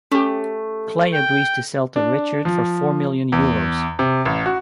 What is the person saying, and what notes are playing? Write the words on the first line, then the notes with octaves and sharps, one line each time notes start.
Clay agrees to sell to Richard for four million euros.
A3 C#4 G4
G5
D4
F3
E2
C3
A1
F#4